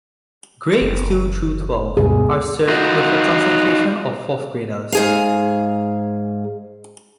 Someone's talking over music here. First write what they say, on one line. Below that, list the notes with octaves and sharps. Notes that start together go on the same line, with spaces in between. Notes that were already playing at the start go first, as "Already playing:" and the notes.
Grades two through twelve are served with a concentration of fourth graders.
F#1
D2 G2 B2 G#4
D#4 F4 F#4
G#2 G#4 F5